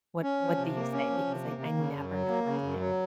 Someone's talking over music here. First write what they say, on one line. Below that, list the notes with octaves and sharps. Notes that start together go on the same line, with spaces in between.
What what do you say, because I I never know what to do.
C#4
F3
C3
A#3
C#4
F3
C3
A#3
A#3
C#3
F#2
F#3
A#3
C#3
F#2
F#3